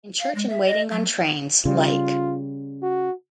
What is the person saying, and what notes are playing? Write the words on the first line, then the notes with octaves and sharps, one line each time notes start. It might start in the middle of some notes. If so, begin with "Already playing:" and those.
In church and waiting on trains, like.
F5
G#3
E5
D#5
F#3
C#3 G3 F4
F#4